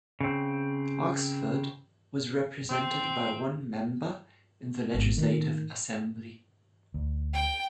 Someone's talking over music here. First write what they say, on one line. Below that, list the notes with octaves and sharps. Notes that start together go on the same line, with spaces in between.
Oxford was represented by one member in the Legislative Assembly.
C#3 C4
C4
G#1 G#2
A2 D#3
D2
G5